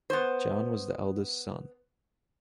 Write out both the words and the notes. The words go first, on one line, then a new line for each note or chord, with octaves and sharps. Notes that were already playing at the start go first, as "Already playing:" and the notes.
John was the eldest son.
B3 C5